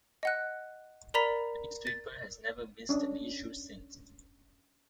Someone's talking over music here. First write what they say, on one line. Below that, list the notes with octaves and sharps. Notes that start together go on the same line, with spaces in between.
The newspaper has never missed an issue since.
D#5 F#5 F#6
A#4 D5 A#5 B5 B6 F7
A6
C#4 D4